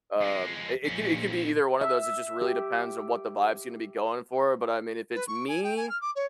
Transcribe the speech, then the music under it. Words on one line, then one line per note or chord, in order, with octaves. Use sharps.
Um, it i it could it could be either one of those, it just really depends on what the vibe's gonna be going for but, I mean, if it's me,
F2 G#3
A#1 F2 C#4
E5
G4
B4
C#6
G#5
G5
G#5
F6
D6
C#5